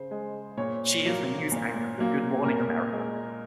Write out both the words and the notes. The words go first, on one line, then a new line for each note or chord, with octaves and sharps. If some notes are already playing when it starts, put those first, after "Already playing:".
She is the News Anchor for "Good Morning America".
Already playing: C#3 C5
G#3
A#2 C#5
F#3 A#3
A#2
F#3 A#3
A#2 A#4
G#3